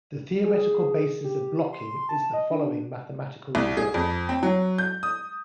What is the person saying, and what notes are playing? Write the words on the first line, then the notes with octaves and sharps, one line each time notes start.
The theoretical basis of blocking is the following mathematical result.
G#4
G4
C6
A5
D#5
D4
C2
G#4
F2
C4
F#3
G6
D#6